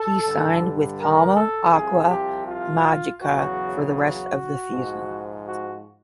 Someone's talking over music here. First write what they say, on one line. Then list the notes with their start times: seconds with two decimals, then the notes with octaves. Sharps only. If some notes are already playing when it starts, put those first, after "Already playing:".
He signed with Palma Aqua Magica for the rest of the season.
Already playing: A4
0.24 G2 D3 G3
0.98 A#4
1.36 A4
1.72 C2 C3 F3 G#4
2.09 G4
2.47 F4
3.21 E2 C#3 F#3 F#4
3.96 F#4
4.70 G#2 F3
5.44 F#4